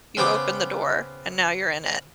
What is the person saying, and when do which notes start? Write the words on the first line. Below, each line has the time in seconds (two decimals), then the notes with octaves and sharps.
You opened the door, and now you're in it.
0.17 C#3 B3 C4 G5 D6